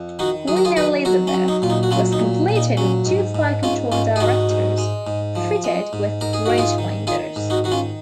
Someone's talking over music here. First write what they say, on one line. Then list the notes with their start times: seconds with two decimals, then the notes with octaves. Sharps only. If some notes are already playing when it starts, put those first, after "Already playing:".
"Queen Elizabeth" was completed with two fire-control directors fitted with rangefinders.
Already playing: F2
0.19 D#3 D#4 F#4
0.48 F#3 G#4
0.57 A#4
0.65 F4 G#4
0.76 D#3 G#4 B4
1.05 F#3 F#4 A#4
1.27 C#4
1.34 F#3
1.48 D#4
1.62 A#2 F4
1.70 D#4
1.83 F#4
1.91 F#3 C#4 F4
2.13 D#4
2.19 A#2
2.48 A#2
2.56 D#4
2.77 F#3 C#4
3.06 G#2
3.35 G#2
3.63 G#2 C#4 F4
3.92 G#2 C#4 F4
4.16 G#4
4.20 G#2 D#4 F#4
4.50 G#2
4.78 G#3
5.07 G#2
5.36 F3
5.64 G#3
5.93 G#2
6.21 G#2 A#4
6.33 G#4
6.46 G#2 F#4
6.58 F4 G#4
6.78 D#3
7.07 D#3 F4 G#4
7.36 G#2
7.50 D#4 F#4
7.64 D#3 F#4
7.72 C#4 F4